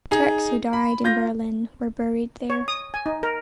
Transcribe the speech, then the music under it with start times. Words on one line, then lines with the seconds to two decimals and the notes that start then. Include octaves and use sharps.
Turks who died in Berlin were buried there.
0.11 D#4 G#4
0.73 B5
1.04 F4 G6 A#6
2.50 C#5
2.68 D#6
2.94 G#5
3.06 D#4
3.23 A#4